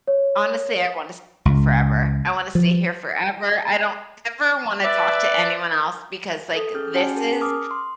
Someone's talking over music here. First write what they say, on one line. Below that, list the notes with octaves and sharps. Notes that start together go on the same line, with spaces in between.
Honestly, I wanna stay here forever, I wanna stay here forever, I don't ever wanna talk to anyone else because, like, this is
C#5
C#2
F3
B4 D5 E5
A4 D#6
C#4 G#4 F6 G6
C#4 F#4 F#5 G#5 A5
C#4 G#4 A#4 G#5 A5
D6 D#6 F6
C6